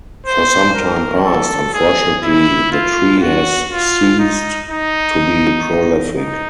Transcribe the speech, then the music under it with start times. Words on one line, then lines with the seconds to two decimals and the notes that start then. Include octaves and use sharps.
For some time past, unfortunately, the tree has ceased to be prolific.
0.26 C5
0.75 A#4
1.25 A4
1.74 G#4
2.23 E4
2.72 F4
3.22 F#4
3.71 F4
4.19 D#4
4.69 D#4
6.17 D#4